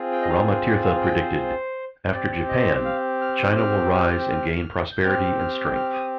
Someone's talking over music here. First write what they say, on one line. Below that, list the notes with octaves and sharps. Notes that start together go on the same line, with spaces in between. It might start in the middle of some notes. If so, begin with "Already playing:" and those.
Rama Tirtha predicted: After Japan, China will rise and gain prosperity and strength.
Already playing: C4 F4 G#4
G5
D#5
F5
D5
F5
G5
C5
C4 G4 D5
D#5
F5
F6
G6
F6
F6
F6
G6
C4 G4 F6
F6
F6
D#6